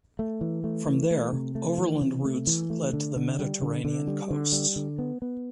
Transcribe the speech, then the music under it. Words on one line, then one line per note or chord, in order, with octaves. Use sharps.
From there, overland routes led to the Mediterranean coasts.
A3
E3
A3
E3
A3
C3
A3
E3
C3
A3
E3
A3
D3
D3
G3
D3
D3
G3
D3
G3
D3
B3
B3